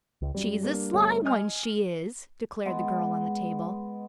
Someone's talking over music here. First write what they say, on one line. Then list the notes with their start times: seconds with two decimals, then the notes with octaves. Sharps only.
"She's a sly one, she is," declared the girl on the table.
0.22 C#2
0.35 F#2 G3
0.63 A#3 D4
0.93 G1 A3 C#5
1.25 D#5 G#5 F6
2.65 G#3 B3